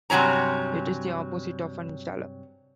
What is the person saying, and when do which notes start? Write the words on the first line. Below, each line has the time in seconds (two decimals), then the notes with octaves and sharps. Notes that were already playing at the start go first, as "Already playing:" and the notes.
It is the opposite of an installer.
0.10 G2 C3 F#3 C#4 A#5